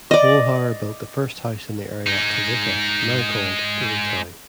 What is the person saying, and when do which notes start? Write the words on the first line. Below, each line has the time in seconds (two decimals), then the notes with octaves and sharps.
Colehower built the first house in the area of Toluca now called Old Town.
0.11 D5 D#5
2.07 G#3 D#4